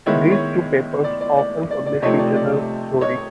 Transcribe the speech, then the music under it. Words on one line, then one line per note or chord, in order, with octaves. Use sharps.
These two papers often publish each other's stories.
D#3 G#3 B3 E4 C#5 D#5
C#5
D5
D5
D5
D5
D5
C3 F3 A3 C4 D#4 C#5 D#5
D5
D5
C#5 D#5